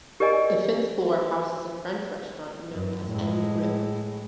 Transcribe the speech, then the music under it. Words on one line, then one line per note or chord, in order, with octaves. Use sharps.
The fifth floor houses a French restaurant known as N Grill.
G4 A#4 D5 D#5 G#5
F#2
A2 G#3